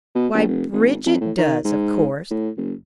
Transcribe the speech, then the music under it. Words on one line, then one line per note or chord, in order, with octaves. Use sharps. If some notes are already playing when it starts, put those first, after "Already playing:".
"Why, Bridget does, of course."
B2
A#1
F1
G#1
F2
A2
D#3
G#2
A2
F#1